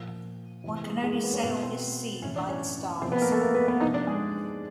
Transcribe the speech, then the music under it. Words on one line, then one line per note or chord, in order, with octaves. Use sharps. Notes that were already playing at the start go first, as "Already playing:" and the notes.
One can only sail this sea by the stars.
Already playing: A#2 F3
C3 E3
G#3 G#4
G#3 G#4
A#3 A#4
B3 B4
C#4 C#5
B2 B3 B4
C4 C5
A2 E3 C#4 C#5
D4 D5
C#4 C#5
C3 F3 C4 C5
B3 B4
A#3 A#4
A3 A4
A#3 A#4
B3 B4
B3 B4
C3 F3 D#4 D#5
D4 D5
G#3 G#4